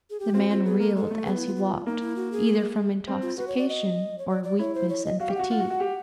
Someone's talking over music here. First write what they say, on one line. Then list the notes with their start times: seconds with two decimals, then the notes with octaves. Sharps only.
The man reeled as he walked, either from intoxication or weakness and fatigue.
0.10 G#4
0.20 G4
0.34 C4 F#4
0.50 C4 F4
0.65 B3 G#4
0.80 A#3 A4
0.95 G#3 A4
1.11 A3
1.25 B3 G#4
1.36 E4
1.46 F4
1.56 F#4
1.60 F4
1.86 A#3 D#4
2.01 E4
2.16 F#4
2.32 G#4
3.07 C4
3.22 F4
3.38 F#4 B4
3.47 C#5
3.58 D5
3.68 D#5
4.18 C#5
4.28 D5
4.44 D5
4.59 E4 C#5
4.74 C5
4.89 C#5
5.05 D#5
5.19 F#4 F5
5.29 G4
5.34 F#4 F#5
5.50 F4
5.60 F#4
5.70 F#4
5.80 G4